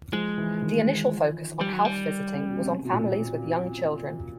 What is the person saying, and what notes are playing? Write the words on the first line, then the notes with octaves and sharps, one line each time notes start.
The initial focus of health visiting was on families with young children.
F3 G#3
E3
D#3
G3
F#3
G3
C#3
B2
C3
B2
A#2